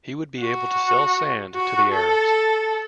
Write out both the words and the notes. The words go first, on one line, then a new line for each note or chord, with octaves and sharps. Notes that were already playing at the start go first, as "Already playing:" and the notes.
He would be able to sell sand to the Arabs.
F#4
F#4
A4